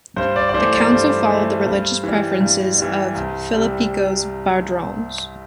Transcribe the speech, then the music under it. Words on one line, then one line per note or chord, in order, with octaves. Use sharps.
The Council followed the religious preferences of Philippikos Bardanes.
G2 C5
D5
D5
E3 A3 C5
D5
G2 C5
E3 A3
G2
E3 G3
G2
E3 G3
C2
C3 G3